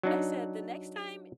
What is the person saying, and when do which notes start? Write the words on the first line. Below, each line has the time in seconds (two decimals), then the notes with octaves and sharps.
I said, "The next time
0.03 F#3 D4 D#4